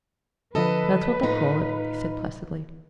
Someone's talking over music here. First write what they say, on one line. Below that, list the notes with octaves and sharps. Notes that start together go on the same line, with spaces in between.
"That's what they call it," he said, placidly.
D3 F3 A4 B4 D#5
A2 D#4 F4